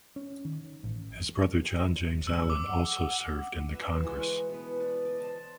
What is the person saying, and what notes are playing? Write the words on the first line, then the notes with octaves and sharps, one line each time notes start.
His brother John James Allen also served in the Congress.
C#4
D#3
A1
E6
D6
F#5
B4 E5
E3 G#3 F#4
B2 B4
B4 D5
D5 D#5
C5 A5